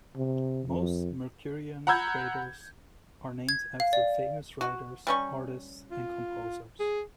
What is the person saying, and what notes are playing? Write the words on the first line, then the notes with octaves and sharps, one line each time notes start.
Most Mercurian craters are named after famous writers, artists and composers.
C3
F2
F#5 A#5 B5 E6 G6 G#6
G#6
F5
D5
F#4
G3 C#4 C#6
F4
G#4